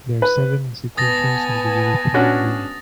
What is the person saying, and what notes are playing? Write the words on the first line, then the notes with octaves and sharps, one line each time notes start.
There are seven institutions of the European Union.
B4
B3 G#5 A5 D#6 A6 A#6
C#4 D4 F#4